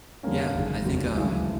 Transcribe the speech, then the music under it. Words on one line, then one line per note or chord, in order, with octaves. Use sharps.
Yeah, I think, um,
F2 D3 G3 A#3 C#4
G#1 F#2 C#3
F1 D#2 D3 F#3
D2 C#3 E3 G#3